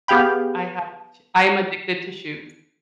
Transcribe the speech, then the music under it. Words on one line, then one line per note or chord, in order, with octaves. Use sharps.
I have sh I am addicted to shoes.
B3 G4 G#4 F5 G5 B5